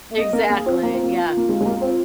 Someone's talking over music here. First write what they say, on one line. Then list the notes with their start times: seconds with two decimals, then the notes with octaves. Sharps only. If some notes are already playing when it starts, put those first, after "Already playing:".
Exactly, yeah.
0.17 A#3 D#5
0.33 A#3 A#4
0.50 A#3 G#4
0.66 C4 F4
0.83 A#3
0.93 C4
1.03 A#3
1.37 A#3
1.49 G#3
1.61 G#3
1.65 A#3
1.81 C4